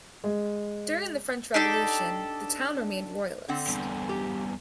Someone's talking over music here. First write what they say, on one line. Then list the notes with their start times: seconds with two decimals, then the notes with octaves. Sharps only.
During the French Revolution the town remained Royalist.
0.24 G#3
1.54 D4 D#4 G4 A4
3.48 D3 C4 F#5
3.67 E2 G2
4.09 G4